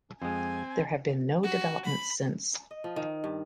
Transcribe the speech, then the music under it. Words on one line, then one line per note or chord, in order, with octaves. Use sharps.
There have been no developments since.
F2 G#3 C4 G#5
F#4
B5
D#5
F3
D#3
G2